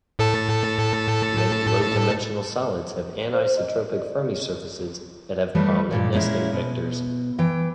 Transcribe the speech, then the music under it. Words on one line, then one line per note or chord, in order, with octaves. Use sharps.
Many low-dimensional solids have anisotropic Fermi surfaces that have prominent nesting vectors.
A2 A4 A5
C5
D#5
D5
G#4
E3 G3 A3 B3
G2 A#2 G4
A#2 G#3 C#4 E4
B2
E3 G5